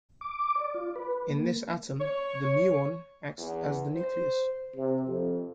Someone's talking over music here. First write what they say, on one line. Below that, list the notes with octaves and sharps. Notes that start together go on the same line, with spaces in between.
In this atom, the muon acts as the nucleus.
D6
D5
F4
B4
A#3
C#5
E2
C5
C3
F2